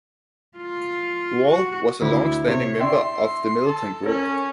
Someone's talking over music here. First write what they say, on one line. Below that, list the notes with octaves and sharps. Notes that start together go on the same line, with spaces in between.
Wall was a long-standing member of the Militant group.
F4
F#4
D2 E4
C3 C#5
D5 E5 G5 C6
E5
A4
C#4 A4 A#4 C#5